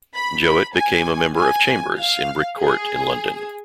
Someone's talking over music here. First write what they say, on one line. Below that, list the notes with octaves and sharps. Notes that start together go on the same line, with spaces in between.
Jowitt became a member of chambers in Brick Court in London.
B5
B5
G#5
G#5
F5
G#4